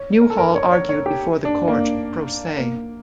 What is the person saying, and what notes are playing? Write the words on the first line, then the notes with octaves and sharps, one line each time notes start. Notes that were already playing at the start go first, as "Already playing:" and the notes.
Newhall argued before the court pro se.
Already playing: C#5
A#4
A4
A#4
C#5
C#5
C#5
G4
D4
A#3
A#3